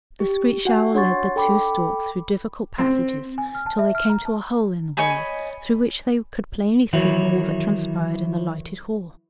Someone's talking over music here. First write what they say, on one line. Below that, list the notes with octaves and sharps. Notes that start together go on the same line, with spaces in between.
The screech owl led the two storks through difficult passages till they came to a hole in the wall, through which they could plainly see all that transpired in the lighted hall.
G4
F#4 F#5 G#5
D4 C#5 F#5 C6 C#6 A6
A4 G5 B5 D6
C4
G#5
F6
A5
E5
F6
A#5
A5
C#5 D#5 G#5 B5
D#3 E3 F#3 E4